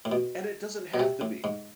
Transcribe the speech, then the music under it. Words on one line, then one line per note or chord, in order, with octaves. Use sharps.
and it doesn't have to be.
A2
B2
B2
C3
A2
G#2